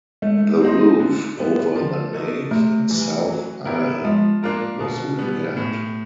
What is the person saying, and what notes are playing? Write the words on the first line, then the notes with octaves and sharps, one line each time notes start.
The roof over the nave and south aisle was repaired.
G#3 A3
C4 D#4
D3
G3 B3
F3
A#3 D#4 F#4 A4
C3 A3
E3 G3
F#3
B3 E4 G4 A#4
F3 G#3
A#3 D4 F4 A#4
B2
G3 B3
A2